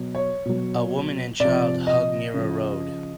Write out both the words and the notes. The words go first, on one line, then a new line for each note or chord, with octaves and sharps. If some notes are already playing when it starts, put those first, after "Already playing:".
A woman and child hug near a road.
Already playing: B2 F#3
C#5
B2 F#3
C3 F3 D5
D#5
C#3 F3